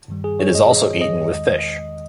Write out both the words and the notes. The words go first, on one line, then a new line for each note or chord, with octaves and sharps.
It is also eaten with fish.
G2 D#3 G3
G#4
C#5
D#5
D#5
D#5
E2 D#3 G#3